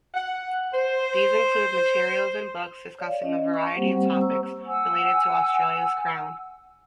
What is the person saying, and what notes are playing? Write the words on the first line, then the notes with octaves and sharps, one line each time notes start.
These include materials and books discussing a variety of topics related to Australia's Crown.
F#5
C5
C#5 D5 F5
C#4 D#5
C#6
G3 A#3 C4 G4 C5 F#5
C5 A#5 C#6 E6
F#5 G#5 E6